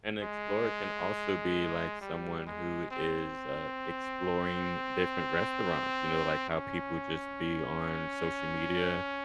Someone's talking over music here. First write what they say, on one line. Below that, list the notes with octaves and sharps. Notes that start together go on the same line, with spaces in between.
an explorer can also be, like, someone who is, uh, exploring different restaurants, you know, like how people just be on social media
G#3
G3
G#3
C4
C#4